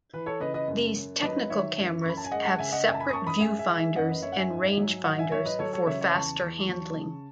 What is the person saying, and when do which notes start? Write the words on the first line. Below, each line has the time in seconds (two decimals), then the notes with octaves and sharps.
These "technical cameras" have separate viewfinders and rangefinders for faster handling.
0.13 E3 B4
0.26 A4 C#5
0.40 C#3 B4 D#5
0.54 B4 D#5
0.67 F#2
0.95 F#2
1.22 F#3 B4 D#5
1.50 D#3 C#5 E5
1.77 F#2
2.02 C#6
2.04 F#2 B5
2.17 A5
2.25 G#5
2.31 G#3 D#5 F#5
2.45 F#5 A5
2.59 C#3 E5 G#5
2.72 D#5 F#5
2.86 F#2 E5 G#5
2.94 A5
3.00 G#5 B5
3.09 D#6
3.13 F#2 A5 C#6
3.27 B5 D#6
3.40 G#3 E5 G#5
3.59 E5 G#5
3.68 E3
3.77 E5 G#5
3.96 F#2 D#5 F#5
4.09 B4 D#5
4.22 F#2 C#5 E5
4.32 F#5
4.36 E5 G#5
4.50 G#2
4.77 F#3
5.04 G#2 D#5 F#5
5.18 E5 G#5
5.32 F#3 C#5 E5
5.46 B4 D#5
5.59 F#3 A4 C#5
5.73 A4 C#5
5.86 C#3 C#5 E5
6.01 C#5 E5
6.13 E2 A5 C#6
6.41 E2
6.69 F#3
6.95 C#3